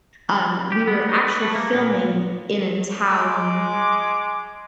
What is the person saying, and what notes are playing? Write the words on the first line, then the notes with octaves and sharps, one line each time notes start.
um, we were actually filming in a town
G4
B3
D#4
B4
A3
A#3
A#2
G#3 D6